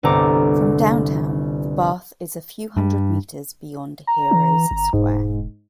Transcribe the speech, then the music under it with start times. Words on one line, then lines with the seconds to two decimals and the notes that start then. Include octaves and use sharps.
From downtown, the bath is a few hundred metres beyond Heroes' Square.
0.03 G1 C2 A4 C5 A#5 D6
2.77 G2
4.07 A#5
4.31 E3
4.71 G1
4.93 E1 G#2